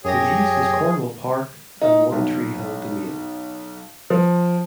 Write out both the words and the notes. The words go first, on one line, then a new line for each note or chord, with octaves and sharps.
To the east is Cornwall Park and One Tree Hill Domain.
F#2 G4 G#4 C#5 A#6
D#4
B1
F3